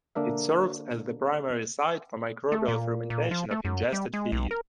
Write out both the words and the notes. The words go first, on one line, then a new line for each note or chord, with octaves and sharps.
It serves as the primary site for microbial fermentation of ingested feed.
D3 A#3 D4 A#4 E5
A3
A#2
A#2
F3
A3
F#2
G3
G#3
B1
A#4